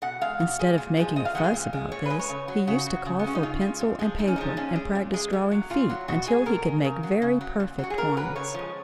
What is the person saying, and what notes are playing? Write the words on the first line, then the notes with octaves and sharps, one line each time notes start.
Instead of making a fuss about this, he used to call for pencil and paper and practise drawing feet until he could make very perfect ones.
B2 F#5
G#3 F5
B2
G#3
A#2
F3 G#3
A#2 D#5
F5
F3 G#3 F#5
F5
A#2
G#3
A#2 C#5
G#3 B4
C#5
C#3
F#3
C#3 F#4
F#3
C#3
B3
G#3 C#4
D#4
C#3 F4
G#3
A#2
F3 G#3
A#2 D#4
C#4
F3 G#3 D#4
A#2 C#4
G#3
A#2
G#3
A#2
F#3
A#2 F4
F#3
B2 F#4
G#3 G#4
B2 A#4
G#3
C#3
F#3
C#3
F#3
A#2
F#3
F#4
G#4
A#2 A#4
F#3 B4
C#3 C#5
F3 G#3